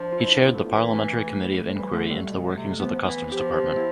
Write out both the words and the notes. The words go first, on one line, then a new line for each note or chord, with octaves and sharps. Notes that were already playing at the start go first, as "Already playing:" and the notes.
He chaired the Parliamentary Committee of Inquiry into the workings of the Customs Department.
Already playing: F3 D4
F4
E4
B3
A3
E3
F3
E3 G3
D3 A3
G3
B2
C3
F3 B3
E3
F3 G4
E4